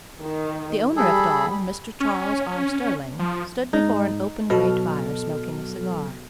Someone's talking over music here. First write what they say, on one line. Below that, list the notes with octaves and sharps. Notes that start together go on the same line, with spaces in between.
The owner of it all, Mr. Charles R. Sterling, stood before an open grate fire smoking a cigar.
D#3
G3 G#4 A4 B5
C#4
F3
G#2 D#4
B2 F#3 A4 F6